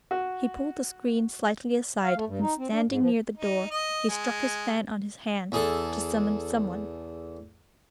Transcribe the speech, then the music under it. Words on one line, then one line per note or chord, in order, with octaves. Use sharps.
He pulled the screen slightly aside, and standing near the door, he struck his fan on his hand, to summon some one.
F#4
F5
A3
G2
D#4
C4
D4
G#2
F3
D#4
D#5
G#3
E2 G#4 A4